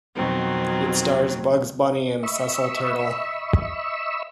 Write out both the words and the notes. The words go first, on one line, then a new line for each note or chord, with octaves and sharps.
It stars Bugs Bunny and Cecil Turtle.
F2 B2 D#3 F#3 C4
D#5 E5 B5 C#6 E6